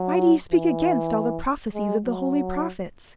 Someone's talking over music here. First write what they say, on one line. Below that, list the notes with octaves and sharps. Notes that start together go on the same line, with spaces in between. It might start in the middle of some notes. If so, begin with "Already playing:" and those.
Why do ye speak against all the prophecies of the holy prophets?
Already playing: F#3
E3
G#3
F#3